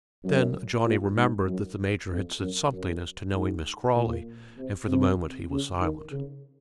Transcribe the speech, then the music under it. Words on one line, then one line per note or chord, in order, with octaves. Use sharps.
Then Johnny remembered that the major had said something as to knowing Miss Crawley, and for the moment he was silent.
F#2
A#2
G#2
F#2
F2
F#2
F#2
G#2
A#2
C3
C3
C#3
D#3
C#3